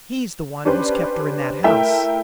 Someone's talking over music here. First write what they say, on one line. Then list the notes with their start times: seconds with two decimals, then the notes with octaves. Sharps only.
He's the one who's kept her in that house.
0.65 C#4 D4 G4 B4 C5 D5
1.64 A3 E4 A#4 E5 G5